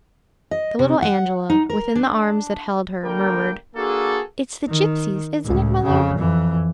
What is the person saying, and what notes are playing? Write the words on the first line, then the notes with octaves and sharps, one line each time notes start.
The little Angela, within the arms that held her, murmured, "It's the gipsies, isn't it, mother?"
D#5
C3
F#5
D#4
A#4
D4
D3 G3 A#3 A#4 G5
A#3 D4 F#4 G#4 A4
D#3
C#2 A2
F2 C#3
F2 E3